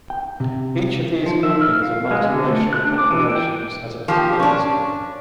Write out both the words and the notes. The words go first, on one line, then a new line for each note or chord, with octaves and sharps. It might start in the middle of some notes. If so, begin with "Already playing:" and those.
Each of these groupings of multiracial populations has a particular history.
G5
C3
F3
E5
F6
F5
G#3
D3
A3
F#6
D4
D6
E3
G5
F3 A#3 G4
C#4 D4